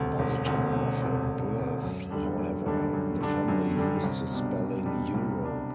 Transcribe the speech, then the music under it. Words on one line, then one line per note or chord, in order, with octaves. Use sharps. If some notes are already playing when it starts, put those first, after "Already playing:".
By the time of her birth, however, the family used the spelling Yuro.
Already playing: E1 D2 C3
E1
D2 C3
E1
D2 C3
E1
D2 C3
F#2
D3 G3 D4
F#2
D3 G3 D4
F#2
D3 G3 D4
F#2
D3 G3 D4
C2
B2 G3 D4
C2
B2 G3 D4
C2
B2 G3 D4